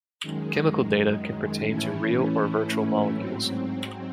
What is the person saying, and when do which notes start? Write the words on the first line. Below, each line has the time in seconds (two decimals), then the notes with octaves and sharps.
Chemical data can pertain to real or virtual molecules.
0.22 F#2 D#3 G#3
1.68 A2 E3 A3 C#4 E4
3.13 G#2 F#3 C4